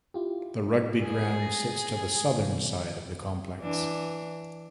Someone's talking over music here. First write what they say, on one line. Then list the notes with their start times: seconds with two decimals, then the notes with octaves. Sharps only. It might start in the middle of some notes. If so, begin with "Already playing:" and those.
The rugby ground sits to the Southern side of the complex.
0.14 E4 F4 G4
1.03 G#4
1.38 G#5 A6 A#6
2.40 B2 D#3
3.60 E3 D4